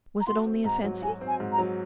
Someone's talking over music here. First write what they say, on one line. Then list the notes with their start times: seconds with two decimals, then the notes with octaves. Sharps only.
Was it only a fancy?
0.20 A#5
0.27 F#4 C6
0.46 C4
0.64 G#2 A#5
0.84 F#3
1.02 F#4 G#5
1.21 C4
1.27 G#5
1.40 G#2
1.52 A#5
1.58 F#3